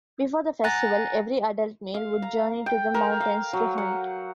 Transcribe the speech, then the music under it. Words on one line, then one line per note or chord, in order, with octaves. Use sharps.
Before the festival, every adult male would journey to the mountains to hunt.
F#5 G#5 A#5 F#6 A6 A#6
F5
A#5
G5
A#4
F5
F#3
F#5